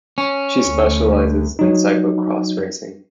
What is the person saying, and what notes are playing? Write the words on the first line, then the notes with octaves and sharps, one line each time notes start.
She specializes in cyclo-cross racing.
C#4
D2
F#3 D#4